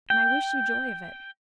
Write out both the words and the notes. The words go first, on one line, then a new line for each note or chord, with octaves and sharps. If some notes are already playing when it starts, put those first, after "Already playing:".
And I wish you joy of it!
G5